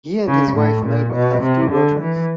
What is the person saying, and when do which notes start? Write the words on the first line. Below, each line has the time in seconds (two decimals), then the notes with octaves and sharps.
He and his wife Melba have two daughters.
0.28 C#3
0.57 A2
0.86 A#2
1.14 B2
1.42 C3
1.72 D3
2.01 E3